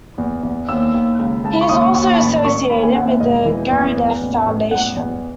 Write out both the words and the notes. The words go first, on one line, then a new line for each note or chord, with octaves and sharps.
He is also associated with the Gurdjieff Foundation.
E2
E2
D#2 E6
D#2
C#2
C#2 A5
B5
C#6
D#2 D#6
C#6
D#2 C#6
C#6
A5
A1 B5
A1 C#6
D#2 B5
G#5
D#2 F#5
E5
E1 D#5
E3
E2
E2
A1
A1
E2 F#5
E2